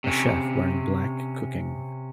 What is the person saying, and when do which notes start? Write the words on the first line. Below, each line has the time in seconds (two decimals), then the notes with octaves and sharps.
A chef wearing black cooking.
0.04 C3 C#4